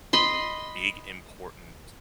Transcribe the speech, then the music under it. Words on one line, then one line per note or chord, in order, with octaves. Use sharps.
big important
D#5 B5 C6